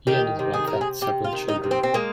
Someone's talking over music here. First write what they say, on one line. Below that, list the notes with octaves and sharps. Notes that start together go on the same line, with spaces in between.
He and his wife had several children.
D#3 G4
C3
G#4
C3 A#4
G#4
C3 G4
F4
D#3
D#4
C3
C4
C4
G#3 A#3